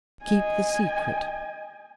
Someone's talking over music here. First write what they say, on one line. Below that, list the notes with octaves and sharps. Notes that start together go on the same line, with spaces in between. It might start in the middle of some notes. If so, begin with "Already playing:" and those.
Keep the Secret.
D#5 G#5